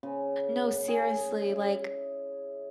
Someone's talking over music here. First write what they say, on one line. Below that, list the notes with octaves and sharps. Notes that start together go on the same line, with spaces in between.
No, seriously, like
C#3
G#4
E4